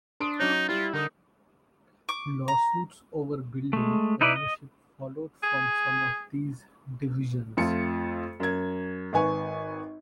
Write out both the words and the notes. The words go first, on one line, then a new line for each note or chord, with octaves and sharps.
Lawsuits over building ownership followed from some of these divisions.
D4 C6 D#6 D7
F#3 C#4 D#4
G3 E4 F4
D3 D#4 A#4 D#6
C#6 D6
A#5
G#3 A3
D#4 E4 B4 D5
D#5
G#4
F2 A3 F4 C#7
F#2 G#6
G#1 B4 G#5 C#6